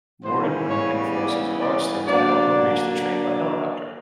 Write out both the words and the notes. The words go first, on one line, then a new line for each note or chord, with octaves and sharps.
Warden Ranken forces Barstow to help him reach the train by helicopter.
C#3 E3 G3 B3 C5
C#5
D5
D5
D3 F#3 A#3 D4 D5